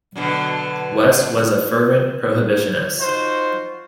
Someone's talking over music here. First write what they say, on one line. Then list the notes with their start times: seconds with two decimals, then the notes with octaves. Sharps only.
West was a fervent prohibitionist.
0.16 B2 D3 F#3
3.00 D#4 F4 F#4 C5